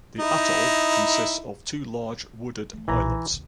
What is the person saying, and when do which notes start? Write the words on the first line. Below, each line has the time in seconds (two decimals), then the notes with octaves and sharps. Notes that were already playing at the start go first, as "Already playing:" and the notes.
The atoll consists of two large wooded islets.
0.19 D#4 E4
2.73 E3 A3
2.88 B1 A#2 E3 A#5
3.30 D#2 C3